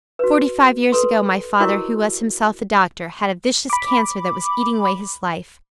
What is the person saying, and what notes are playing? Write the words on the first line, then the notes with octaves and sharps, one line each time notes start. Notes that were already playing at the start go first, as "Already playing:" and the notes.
Forty-five years ago my father, who was himself a doctor, had a vicious cancer that was eating away his life.
F#4 B4
A4 B4 C6
E4 F#4 G4 A#4 C#5 D#5
B5 D6